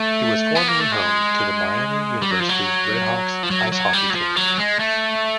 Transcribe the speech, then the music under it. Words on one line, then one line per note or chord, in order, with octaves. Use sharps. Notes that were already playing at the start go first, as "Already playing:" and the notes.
It was formerly home to the Miami University RedHawks ice hockey team.
Already playing: A3
B3
A#3
A3
G#3
G3
F#3
F3
F#3
F3
F#3
F#3
G3
F#3
F3
F#3
G#3
A3